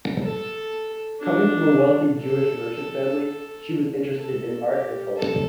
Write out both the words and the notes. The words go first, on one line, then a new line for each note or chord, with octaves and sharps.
Coming from a wealthy Jewish merchant family, she was interested in art and culture.
A4
D4
A4
A4
G4
A4